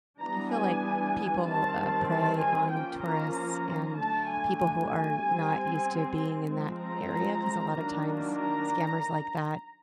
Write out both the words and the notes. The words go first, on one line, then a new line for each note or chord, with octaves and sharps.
I feel like people, uh, prey on tourists and people who are not used to being in that area, 'cause a lotta times scammers like that
E3 G3 B3 D4 A#5
G#5
D#3 G3 C4 A5
A5
G#5
F3 A#3 C#4 G5
A#5
A#5
D3 F#3 A3 A5
G#5
G#5
G3 C4
F3 G#3 C4
A#5
D#3 F#3 A#3 D4
A#5